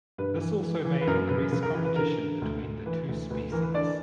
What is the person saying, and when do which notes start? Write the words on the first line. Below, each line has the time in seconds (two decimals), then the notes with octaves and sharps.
This also may increase competition between the two species.
0.18 G2 B4
0.41 E3
0.63 E3
0.85 E3
1.01 B4
1.07 F#2 A#4
1.29 C#3 B4
1.51 C#3 B4
1.63 A#4
1.74 E3 B4
1.85 B4
1.96 D3 A#4
2.19 D3
2.42 D2
2.63 D2
2.86 E3 B4
3.08 D2
3.30 D2 B4
3.52 E3 A#4
3.63 B4
3.74 D3 D4 D5